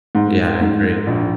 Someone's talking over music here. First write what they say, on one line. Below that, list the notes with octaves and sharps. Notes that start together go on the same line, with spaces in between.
Yeah, I agree.
G#2
G#2
A#1